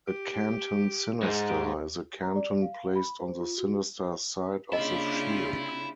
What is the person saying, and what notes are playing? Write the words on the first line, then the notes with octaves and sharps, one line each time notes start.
A "canton sinister" is a canton placed on the sinister side of the shield.
G4
G#2 G#3
G4
A#5
D5
F5
B5
C5
F4
F#4
C#3 A#3 D4 E4 F4 G4 D#5